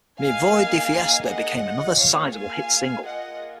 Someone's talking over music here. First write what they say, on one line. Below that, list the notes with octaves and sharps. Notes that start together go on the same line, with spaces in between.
"Me Voy De Fiesta" became another sizable hit single.
A#3 D#4 G#4 F5 G#5
D#5 F#5
A#3 F4 G#4
C#5 F5
F5 G#5
A#3 F4 G#4 D#5 F#5